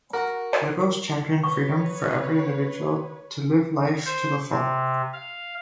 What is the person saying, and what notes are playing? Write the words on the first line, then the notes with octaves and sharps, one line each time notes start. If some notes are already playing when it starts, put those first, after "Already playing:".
Liberals champion freedom for every individual to live their life to the full.
F#4 A#4
B4 C#5 C#6
C5
C3
F5